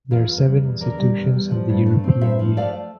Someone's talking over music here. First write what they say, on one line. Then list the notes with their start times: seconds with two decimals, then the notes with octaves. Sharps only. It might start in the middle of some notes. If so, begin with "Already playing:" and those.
There are seven institutions of the European Union.
0.11 E2 F4
0.28 E2
0.46 G3
0.64 E2
0.81 D3 A#4 D5
0.98 G3
1.17 E2
1.33 G3
1.51 F3
1.69 G2
1.86 A3
2.04 C4
2.21 G2 C5 E5
2.39 F3
2.57 A3 D5 F5